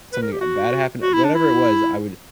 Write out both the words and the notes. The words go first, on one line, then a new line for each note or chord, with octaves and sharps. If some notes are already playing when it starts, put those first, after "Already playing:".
something, uh, bad happened. Whatever it was, I would
B4
A#4
G4
F#4
F#4
E4
D4
E4